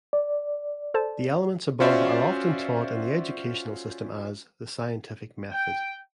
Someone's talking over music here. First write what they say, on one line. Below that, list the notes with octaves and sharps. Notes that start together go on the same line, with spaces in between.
The elements above are often taught in the educational system as "the scientific method".
D5
A4 C5 A5
C#4 F4 F#4 C5 D5 E5
G5